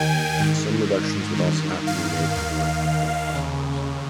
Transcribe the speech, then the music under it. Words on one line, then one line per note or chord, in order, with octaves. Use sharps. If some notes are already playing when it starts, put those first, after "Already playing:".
Some reductions would also have to be made to the width of the platforms.
Already playing: D#2 D#3 G5 G#5
G#2 D#3
G2 D#3
F5
D#2 D#3 F5
D#2 C#3